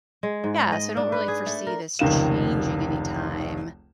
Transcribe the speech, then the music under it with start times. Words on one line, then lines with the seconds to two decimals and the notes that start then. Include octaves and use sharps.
yeah, so I don't really foresee this changing anytime,
0.23 G#3
0.44 G#2
0.72 D#5
0.97 D4
1.12 B4
1.28 G#4
1.46 A3
1.67 A#4
1.99 F1 C#2 D#3 F5 E7